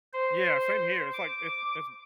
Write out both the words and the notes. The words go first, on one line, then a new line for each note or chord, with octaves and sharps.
Yeah, same here. It's like it's it's
C5
D6